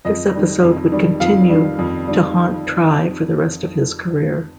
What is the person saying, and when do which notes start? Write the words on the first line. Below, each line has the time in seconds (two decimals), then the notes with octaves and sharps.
This episode would continue to haunt Try for the rest of his career.
0.05 F2 D#5
0.35 D#3 G3
0.63 F2
0.92 D#3 G3
1.20 F2 F5
1.49 D#3 G3
1.79 F2
2.07 D#3 G3